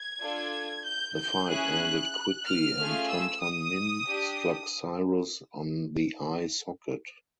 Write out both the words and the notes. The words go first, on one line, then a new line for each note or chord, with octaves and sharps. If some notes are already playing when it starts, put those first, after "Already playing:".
The fight ended quickly and Tun Tun Min struck Cyrus on the eye socket.
Already playing: G#6
D4 F4 A4
G6
G6
C#4 E4 G#4 F#6
F6
A3 C#4 F4 G#4
E6
D#6
D4 G4